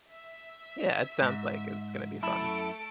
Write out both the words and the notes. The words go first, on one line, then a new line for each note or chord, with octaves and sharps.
Yeah, it sounds like it's gonna be fun.
E5
G#2
F#2 A3 E4 A4 A5 D7